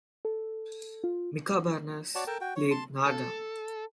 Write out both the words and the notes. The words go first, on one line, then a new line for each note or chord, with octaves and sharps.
Mica Bernas played Narda.
A4
F4
F#4 C#5 D5 A5
A4 A#4 G5 A5
F#4 G5
C#5
A5 C6
A4